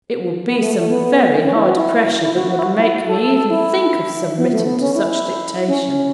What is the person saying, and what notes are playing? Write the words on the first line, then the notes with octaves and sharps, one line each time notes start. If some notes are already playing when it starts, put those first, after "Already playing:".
'It would be some very hard pressure that would make me even think of submitting to such dictation.'
B3
A3
A3
B3
C#4
E4
F#4
E4
E4
F#4
F#4
E4
F#4
E4
A4
A4
A4
E4
B3
A3
B3
C#4
E4
E4
C#4